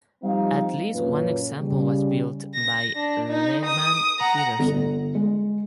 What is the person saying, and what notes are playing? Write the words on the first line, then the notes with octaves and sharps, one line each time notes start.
At least one example was built, by Lehmann-Peterson.
F3 G3 C4 D#4 F5
F#2 A#2 A#3 C#4 B4 C#5
C#3 G3
A#6
D4
D#4
D#6
F#5 A#5
G1
G#3